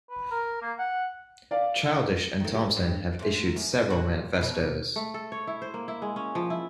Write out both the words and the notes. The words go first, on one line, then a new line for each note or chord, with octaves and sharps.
Childish and Thomson have issued several manifestos.
B4
A#4
A#3
F#5
D5 F5
D#3 A3
G4
G2
G#2 A3
F#2
A#2 G3 F#4
B2 E3 F#3
A3
A4
C#5
E4
C5
A#3
E4
G#3
C#4
F3
E4